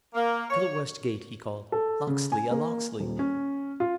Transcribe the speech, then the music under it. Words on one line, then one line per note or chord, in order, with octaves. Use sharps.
"To the west gate!" he called, "Locksley! a Locksley!"
A#3
C#5
A4
C#3
G#5
A#3
D#1
C#4
F4